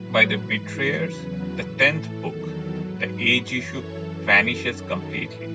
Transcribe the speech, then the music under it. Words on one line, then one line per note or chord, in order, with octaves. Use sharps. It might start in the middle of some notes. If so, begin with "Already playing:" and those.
By "The Betrayers", the tenth book, the age issue vanishes completely.
Already playing: A2 F#3 B4
G#2 E3
E2 C#3 F#3
A2 E3 A4
E2 D#3 F#3 A4
A4
G#2 F#3 B4
F#2 E3 C#5
A4
F#2 E3
F#2 D#3 F#3
A2 E3 B4